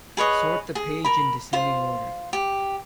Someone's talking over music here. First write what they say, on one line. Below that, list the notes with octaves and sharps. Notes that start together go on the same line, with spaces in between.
Sort the page in descending order.
G#4 B4 C#5 D#5
G#4
A#4 B5
F4 C5
G4